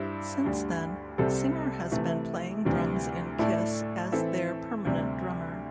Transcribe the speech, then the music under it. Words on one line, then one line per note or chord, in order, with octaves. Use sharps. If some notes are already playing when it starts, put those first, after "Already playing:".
Since then, Singer has been playing drums in Kiss as their permanent drummer.
Already playing: G2 G3 E4 C5 E5
D2 D3 G3
C2 C3 G3 C4 A4
C3 E3 A3
D2 C3 E3 G3
A2 A3 E4 A4 D5
E3 C4 A4 E5
D2 C3 G3